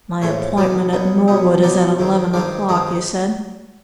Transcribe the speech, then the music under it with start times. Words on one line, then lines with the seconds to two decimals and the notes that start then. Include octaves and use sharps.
"My appointment at Norwood is at eleven o'clock," he said.
0.22 A#1 A2 F3 G#3 C#4 C#5
0.57 B2 F#3 B3 D#4 D5
0.93 B2 F#3 B3 D#4
1.28 B2 F#3 B3 D#4 D#5
1.63 B2 F#3 B3 D#4 D5
1.99 G2 D#3 G#3 C4 D#4
2.33 G2 D#3 G#3 C4 D#4 D5
2.69 G2 D#3 G#3 C4 D#4 D#5